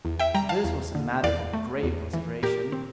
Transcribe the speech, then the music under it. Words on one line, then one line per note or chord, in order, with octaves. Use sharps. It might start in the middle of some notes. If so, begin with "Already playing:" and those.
This was a matter for grave consideration.
E2
E5 G5
G3 G5 A#5
F5 A5
E2
D3
E2 D5 F5
A3
E2
E3
A#2 G4 A#4
C4